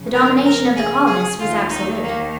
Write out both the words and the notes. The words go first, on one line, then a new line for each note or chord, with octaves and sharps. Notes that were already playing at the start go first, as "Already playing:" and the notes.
The domination of the colonists was absolute.
Already playing: F2 C#3
A#4
A#4
G#4
G#4
D#2 D#3 F4
D#4
A#3